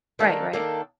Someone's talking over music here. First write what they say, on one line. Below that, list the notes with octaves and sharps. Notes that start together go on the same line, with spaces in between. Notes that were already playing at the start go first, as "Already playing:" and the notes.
Right, right.
D#3 A#3 D4 A4
D#3 A#3 D4 A4